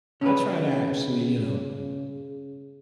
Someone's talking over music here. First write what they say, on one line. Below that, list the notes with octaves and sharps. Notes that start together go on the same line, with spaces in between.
I try to actually, you know,
C#3 C#4 B4